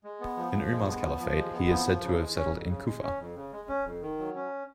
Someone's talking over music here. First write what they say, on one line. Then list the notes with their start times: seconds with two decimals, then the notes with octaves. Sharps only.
In Umar's caliphate he is said to have settled in Kufa.
0.04 G#3
0.21 B3
0.37 F3
0.53 F3
0.70 G#3
0.87 B3
1.03 F3
1.19 F3
1.36 G#3
1.53 B3
1.70 F3
1.86 F3
2.02 C#3
2.20 G#3
2.36 C#4
2.52 F2
2.69 C#3
2.86 G#3
3.02 C#4
3.19 F2
3.36 C#3
3.52 G#3
3.68 C#4
3.85 F2
4.02 D#3
4.19 F#3
4.35 C#4